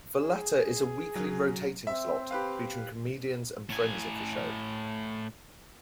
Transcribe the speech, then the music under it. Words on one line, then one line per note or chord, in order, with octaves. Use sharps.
The latter is a weekly rotating slot featuring comedians and friends of the show.
G#4
C#3 F#3
C4 E5
G4 B4 F5
A2 G#5